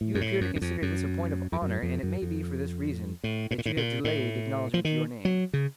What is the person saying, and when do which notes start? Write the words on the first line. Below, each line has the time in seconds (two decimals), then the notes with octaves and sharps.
You appear to consider this a point of honor, and it may be for this reason, that you have delayed acknowledging your name.
0.01 A2
0.15 F#2
0.21 A2
0.41 F#2
0.56 F#2
0.61 F2
0.82 F#2
1.52 F2
1.62 F#2
1.83 F2
2.03 F#2
2.22 F2
3.24 A2
3.51 A2
3.58 A#2
3.66 A2
3.77 A#2
4.04 A2
4.74 F3
4.85 D#3
5.25 F#3
5.53 C#3